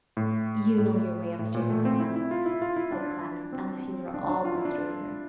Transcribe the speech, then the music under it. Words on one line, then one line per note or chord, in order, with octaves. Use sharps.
'You know your way upstairs, I b'lieve,' said Clem, as if he were all but a stranger.
A2
A2
A2
A#2
A3
C4
E4
E4
F4
E4
F4
E4
D4
C4
D4
D4
F4
E4
D4